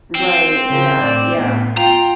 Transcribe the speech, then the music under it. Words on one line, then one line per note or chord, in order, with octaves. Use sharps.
Right. Yeah. Yeah.
C4
C#3 A#4
A2 D5
A2 B3
F4 G5 A#5